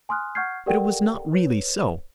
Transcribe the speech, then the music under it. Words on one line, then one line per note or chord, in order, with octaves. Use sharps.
But it was not really so.
G#5 C6 D#6 F6 F#6
F#5 C#6 F6 G6 G#6 C7
G4 A4 A#4 D5 F#5 G5
B4 C#5